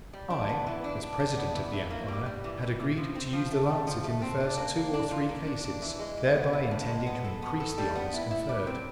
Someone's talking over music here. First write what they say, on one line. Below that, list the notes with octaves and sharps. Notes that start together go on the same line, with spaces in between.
I, as president of the empire, had agreed to use the lancet in the first two or three cases, thereby intending to increase the honours conferred.
G3
D4
B3
E3
D4
D4
D4
B3
E3
E3
A#3
G3
G3
E3
E3
E3
F3
C4
F3
A3
A3
F3
A3
C4
D4
A#3
A#3
D4
F4
A#3
D4
D4
E3
G#3
E3
B3
E3
A2
G#3
B3
A4
B3
A4
G3
B3
E4
E4
G3
C4